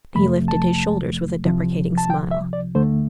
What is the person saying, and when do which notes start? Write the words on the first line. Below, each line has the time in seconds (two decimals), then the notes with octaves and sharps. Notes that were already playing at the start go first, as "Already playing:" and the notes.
He lifted his shoulders with a deprecating smile.
0.15 F2 C3 F3 A3 B5
0.48 A5
1.45 C2 C3 F3
1.98 A5
2.10 G5
2.31 E5
2.53 D5
2.75 D2 D3 A3 C5